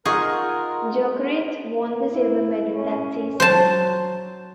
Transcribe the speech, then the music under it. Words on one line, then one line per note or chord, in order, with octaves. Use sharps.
Jokerit won the silver medal that season.
D#4 F4 G#4 A#4 D#5 F#5 C#6
E4
C#4
F#3 C5 A5